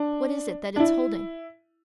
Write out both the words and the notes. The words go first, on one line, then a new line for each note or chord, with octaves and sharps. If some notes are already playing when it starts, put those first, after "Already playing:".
"What is it that it's holding?"
Already playing: D4
D4
E4